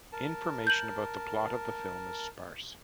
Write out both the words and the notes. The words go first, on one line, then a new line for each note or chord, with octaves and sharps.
Information about the plot of the film is sparse.
A#4 A5
G6 F#7